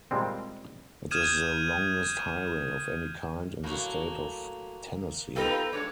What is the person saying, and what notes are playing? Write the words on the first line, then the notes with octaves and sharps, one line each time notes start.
It is the longest highway of any kind in the state of Tennessee.
A#2 G3 G#3 C4
D#6 F6 G6 G#6 D#7 E7
A2 F#3 A#3
B3 D#4 F4 G4 A4 B4
G#3 D4 C#5 D5